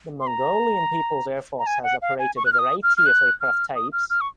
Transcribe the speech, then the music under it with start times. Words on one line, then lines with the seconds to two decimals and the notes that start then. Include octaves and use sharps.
The Mongolian People's Air Force has operated a variety of aircraft types.
0.20 C6
0.27 A#5
1.59 A#5
1.67 G#5
1.84 F#5
2.02 F5
2.19 G#5
2.37 C#6
2.46 F#6
2.53 F6
2.59 D#6
2.83 F6
2.97 F6
3.06 F#6
3.41 F6
3.75 D#6
3.93 F6
4.10 F6
4.21 C#6